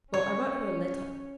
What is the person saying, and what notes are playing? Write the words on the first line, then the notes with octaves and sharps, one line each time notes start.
Well, I wrote her a letter.
C#4 C#5